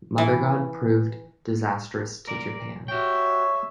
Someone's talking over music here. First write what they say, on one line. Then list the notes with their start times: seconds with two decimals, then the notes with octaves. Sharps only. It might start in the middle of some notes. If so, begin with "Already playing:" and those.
Mothergod proved disastrous to Japan.
0.18 E3
2.27 A#4 D5
2.88 F#4 G4 C#5 E5 G5